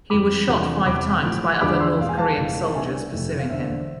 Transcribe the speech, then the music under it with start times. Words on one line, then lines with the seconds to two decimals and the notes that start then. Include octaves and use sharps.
He was shot five times by other North Korean soldiers pursuing him.
0.10 F2 E3 G#3 B5 D6
0.47 E2 C3 F3 A3 D4
0.85 E1 E2 C3 B5 D6
1.23 A1 A2 F3
1.61 E2 D3 F3 G#3 D4 B5 D6
1.80 C6 E6
1.99 E2 B2 G#3 F5
2.09 G#5
2.17 F5 A5
2.37 F1 F2 E3 G#3
2.74 C2 B2 B3 D4 E5 G#5
3.13 F1 F2 C3 E3 A3
3.39 F5
3.50 E1 D2 D3 C5 E5